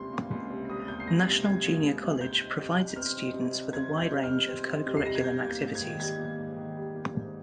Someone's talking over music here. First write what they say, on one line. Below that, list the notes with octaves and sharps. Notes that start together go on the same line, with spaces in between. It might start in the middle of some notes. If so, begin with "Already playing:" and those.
National Junior College provides its students with a wide range of co-curriculum activities.
Already playing: C#2 C3 G3 A#3 C6
A#3
C#2
C3
G3 D#6
A#3 G6
C7
C#2 A#6
C3 C7
G3 G#6
A#3
C#2
C3
C4 G6
D#4
C3
G3
G6
C4 F6
D#4
C3
G3
C4 G#6
D#4
G6
C3
F6
G3
C4
D#4
C3
C7
G3 A#6
G#6
G3 G6
A#3
G6
G#2
G#6
D#3
G3 G#6
A#3
G#2
D#3
G3
A#3
G#2